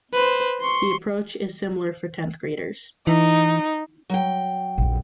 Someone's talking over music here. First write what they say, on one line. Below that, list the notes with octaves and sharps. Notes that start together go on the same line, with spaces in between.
The approach is similar for tenth graders.
B4 C5
C6 C#6
E3 D#4
F#3 G5
A#1 F2